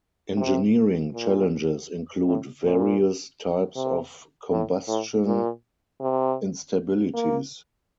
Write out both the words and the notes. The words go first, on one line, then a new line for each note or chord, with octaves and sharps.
Engineering challenges include various types of combustion instabilities.
C3
A#2
A2
A#2
C3
A2
A2
A#2
C3
A#3